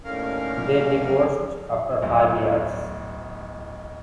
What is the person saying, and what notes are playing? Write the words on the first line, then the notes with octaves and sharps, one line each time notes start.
They divorced after five years.
D#2 A2 D3 C#4 A#4 F5
D1 B1